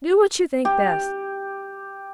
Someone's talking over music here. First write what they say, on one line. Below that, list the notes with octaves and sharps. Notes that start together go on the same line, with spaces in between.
Do what you think best.
G4